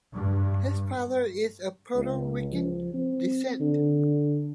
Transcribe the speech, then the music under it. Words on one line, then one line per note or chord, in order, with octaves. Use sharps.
His father is of Puerto Rican descent.
G2
C#2
F3
C4
D3